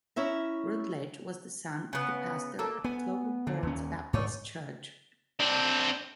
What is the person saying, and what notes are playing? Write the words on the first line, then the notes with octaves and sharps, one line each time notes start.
Rutledge was the son of the pastor of Cloverport's Baptist church.
C#4 E4 E5 A#5
C#3 B3
A#3 A4
B3 G#5
A#2 D3
D#2 C#4
G#2 D#4 C#5 D5
C4 D4